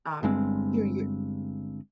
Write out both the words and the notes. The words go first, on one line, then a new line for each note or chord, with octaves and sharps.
um, you you
G1 G2 G#3 C4